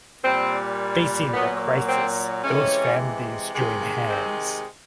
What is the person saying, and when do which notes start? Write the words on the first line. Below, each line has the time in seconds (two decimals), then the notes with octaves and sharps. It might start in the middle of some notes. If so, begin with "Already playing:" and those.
Facing the crisis those families join hands.
0.23 A#2 G3 C4
1.33 A#2 F#3 B3
1.88 C4
2.43 C3 E3 G#3 C#4
3.54 C3 D#3 G#3
4.09 C4